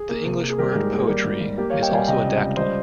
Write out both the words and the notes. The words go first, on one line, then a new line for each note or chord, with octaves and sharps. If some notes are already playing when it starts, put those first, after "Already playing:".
The English word "poetry" is also a dactyl.
Already playing: G#4
A#3
C3
A#3
G#4
G3 G4 A#4
G#2 G#4
G4
A#3 G#4
G3 G4 A#4
G#2
G3
A#3 G4
G3 C#5 F5
D#5 G5
G3 F5 G#5
C3 D#5 G5
C#2
C#2
G3 C5 D#5